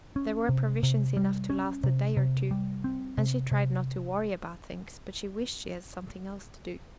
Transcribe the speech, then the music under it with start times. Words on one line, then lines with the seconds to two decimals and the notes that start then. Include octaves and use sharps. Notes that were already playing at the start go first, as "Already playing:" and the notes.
There were provisions enough to last a day or two and she tried not to worry about things, but she wished she had something else to do.
0.16 C#4
0.49 C3
0.83 C3
1.17 G3
1.50 C#4
1.84 C3
2.17 C3
2.51 G3
2.84 C4
3.18 C3
3.51 C3